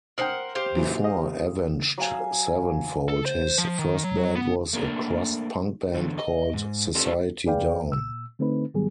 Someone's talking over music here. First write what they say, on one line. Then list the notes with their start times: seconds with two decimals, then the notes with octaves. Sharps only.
Before Avenged Sevenfold, his first band was a crust punk band called Society Down.
0.18 A#4 C5 F#5 G5 D#6
0.55 G4 C5 F5
0.76 A#1 E3 F#3
1.04 D#5
1.98 F#3 F5 G#5
3.08 A4
3.25 C5
3.58 F3
3.79 D#3
4.04 F#3
4.35 B3
4.73 A3 A#3 D4 A#4
5.94 E2 D3
6.18 D#5
6.54 G#2
6.95 C4 D4 F4 G4 A4
7.46 F2 G#4 B4 D5 F5 G5
7.92 A#2 E6
8.39 D3 A3 C4 D#4 B4
8.74 G#2 D#3 F#3 G3 B3 G#4